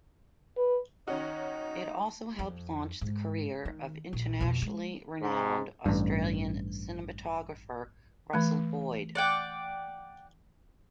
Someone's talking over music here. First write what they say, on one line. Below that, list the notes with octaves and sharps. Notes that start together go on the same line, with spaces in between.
It also helped launch the career of internationally renowned Australian cinematographer Russell Boyd.
B4
D#3 C#4 D#4 F#4
F2
G#2
D#3
A#1
F2 B2
G#3
G#2
A1 G2
E3 A3
D5 F#5 G5